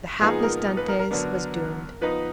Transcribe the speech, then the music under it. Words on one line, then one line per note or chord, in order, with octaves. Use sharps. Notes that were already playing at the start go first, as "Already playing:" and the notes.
The hapless Dantes was doomed.
A#2 F3 G#3 B3 D#4 G#4
A#4
B4
A#4
A#4
D3 F#3 B3 D4
F3 B3 D#4 B4